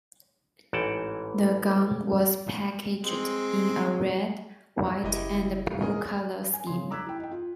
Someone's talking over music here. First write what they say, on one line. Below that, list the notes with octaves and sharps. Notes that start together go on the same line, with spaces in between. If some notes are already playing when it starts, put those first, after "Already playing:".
The gum was packaged in a red, white, and blue color scheme.
A1 G#2 E3 F#5 G5 A5
G#3 C4
F#1 E4 G4 D#5
G#4 A#4 D#5
G#5
C#3 C6
A#5 D6 E6 F#6 G#6 B6
E4 G5
D#5 G5
F4